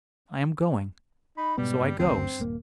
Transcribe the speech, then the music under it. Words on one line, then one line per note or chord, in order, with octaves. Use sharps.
I am going.' So I goes.
D#4 B5
G#2 B2 G3 B3
G2
F#1 D2 C4
D#1 A#3